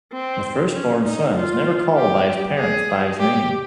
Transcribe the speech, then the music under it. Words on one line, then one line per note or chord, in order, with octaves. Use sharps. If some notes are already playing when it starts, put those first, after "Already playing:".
The firstborn son is never called by his parents by his name.
C4
C#4
D#4
F4
G4
G#4
G4